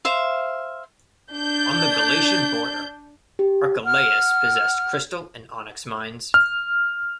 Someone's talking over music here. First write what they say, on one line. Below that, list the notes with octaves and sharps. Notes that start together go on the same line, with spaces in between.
On the Galatian border, Archelaus possessed crystal and onyx mines.
C5 E5 F5
D4 G6
G4
F#5 F6
F6